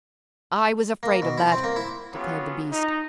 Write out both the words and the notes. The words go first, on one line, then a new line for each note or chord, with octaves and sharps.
"I was afraid of that," declared the beast.
A#3
B2
E4
C4
A#3
E4
F#3 B3 C#4 F4 G4 G#4
D#4